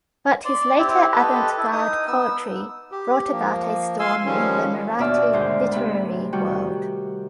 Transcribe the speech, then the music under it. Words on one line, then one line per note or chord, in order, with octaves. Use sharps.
But his later avant-garde poetry brought about a storm in the Marathi literary world.
D5 C6
C4 E4 G4
G4 A4 B4 D#5
E4
D#4 D#6
B3 E6
G4
F3 A#3
F5 G#5 C6 E6
D#3 F3 G3 G#3 C#4
D#2 B2 D4 D5 E5 F6
D2 G#2 C5 G6
C3 A3 B5
D#3 G3 F#4 G5